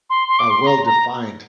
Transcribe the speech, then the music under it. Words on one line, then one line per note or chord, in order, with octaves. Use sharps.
uh, well-defined,
C6
C6
D6
C6
A#5
A#5